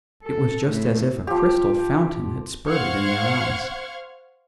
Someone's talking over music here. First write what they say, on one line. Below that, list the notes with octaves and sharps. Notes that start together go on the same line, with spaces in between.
It was just as if a crystal fountain had spurted in their eyes.
A4
A2
F3 G4
C5 F5 F#5 C#6 F6 G#6